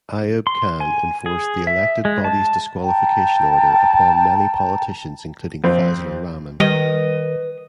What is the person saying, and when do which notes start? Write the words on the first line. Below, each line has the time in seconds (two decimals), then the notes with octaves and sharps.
Ayub Khan enforced the Elected Bodies Disqualification Order upon many politicians including Fazlur Rahman.
0.47 C6
0.80 G#5
1.26 G#4
1.67 E5
2.05 G#3
2.24 A5
2.84 G5 A5 A#5
5.64 F2 C4
6.60 D#3 G3 B4 D#5